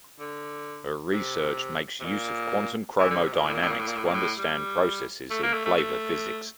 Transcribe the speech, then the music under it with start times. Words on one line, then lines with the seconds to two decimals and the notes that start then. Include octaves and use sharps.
Her research makes use of quantum chromodynamics to understand processes in flavor physics.
0.19 D3
1.12 C3
2.00 C3
2.05 A#2
2.99 E3
3.10 D3
3.22 C3
3.33 A#2
3.45 A2
3.53 A#2
3.62 A2
3.71 A#2
3.79 A2
3.88 A#2
3.96 A2
4.05 A#2
4.13 A2
4.38 G3
5.30 A3
5.43 A#3
5.54 A3
5.65 A3
5.77 A3